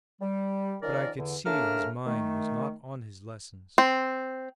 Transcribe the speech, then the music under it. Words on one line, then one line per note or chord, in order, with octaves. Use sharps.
But I could see his mind was not on his lessons.
G3
D#3 F3 C#4 A#4 D5
E2 D3
C#3 A3 A#3 D4 A#5 F6
D#3 A3
C4